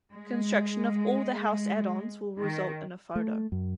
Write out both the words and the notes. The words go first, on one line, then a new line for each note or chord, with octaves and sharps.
Construction of all of the house add-ons will result in a photo.
G#3
D#3
A3
F#2